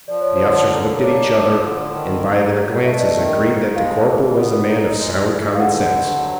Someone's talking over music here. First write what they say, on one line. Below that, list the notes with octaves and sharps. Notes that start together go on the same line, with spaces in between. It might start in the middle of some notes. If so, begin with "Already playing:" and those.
The officers looked at each other, and by their glances agreed that the corporal was a man of sound common sense.
F3 D5
C#5
D3 C5
C#5
A#3
D4 C#5
F3
D3
D#3
G#2
F#3
A3 E5
D#5
D5
D#5
D#3
G#2
G#3 F5
E3
B3
D#4
G#3
E3
F5
D3 F#5
G2
F#3